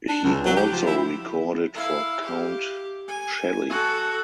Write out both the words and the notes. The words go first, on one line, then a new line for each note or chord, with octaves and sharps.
He also recorded for Count Shelley.
D4
C#2
F#3
G4
F3
E4
E4 F5
G4
G#5
F#4 A4